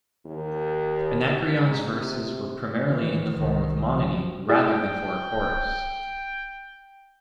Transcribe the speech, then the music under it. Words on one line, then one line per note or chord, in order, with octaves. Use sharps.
Anacreon's verses were primarily in the form of monody rather than for a chorus.
D#2
G#2
C3
D#3 E3
C2 D#3
C#3 F3
E4 G#4 D5 G5